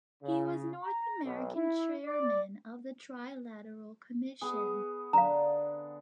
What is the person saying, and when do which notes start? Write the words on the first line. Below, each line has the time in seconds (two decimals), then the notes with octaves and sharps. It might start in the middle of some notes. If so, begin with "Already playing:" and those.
He was North American Chairman of the Trilateral Commission.
0.23 C#3
0.84 A#5
1.23 B1
1.55 E4
2.05 D5
4.41 B3 G#4
5.13 D3 F5 A#5